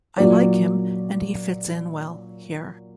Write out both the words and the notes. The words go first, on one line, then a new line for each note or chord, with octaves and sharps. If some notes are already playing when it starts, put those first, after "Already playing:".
I like him and he fits in well here.
A#2 F#3 A#3 D5